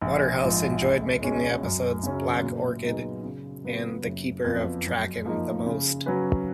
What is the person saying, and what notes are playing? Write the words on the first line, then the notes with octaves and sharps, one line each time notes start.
Waterhouse enjoyed making the episodes 'Black Orchid' and 'The Keeper of Traken' the most.
A#1
G#2 F3
C#2
B2 G#3 C#4
F#2
C#3 F#3 C#4
A#2
F#3 B3 D#4 G#4
C#3
F#3 B3 F4
F#1
F2 F3 B3
F#2
F3 A#3 D#4
C#3
F#3 C#4 F#4 B4